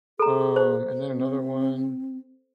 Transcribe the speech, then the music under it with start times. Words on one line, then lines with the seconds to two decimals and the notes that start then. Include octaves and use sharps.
um, and then another one
0.20 G#4 A4 A#5
0.56 C5
1.13 C4